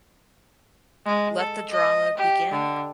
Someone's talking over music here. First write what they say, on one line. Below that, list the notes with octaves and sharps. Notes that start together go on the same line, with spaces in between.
Let the drama begin!
G#3
A4
D#5
G4
D3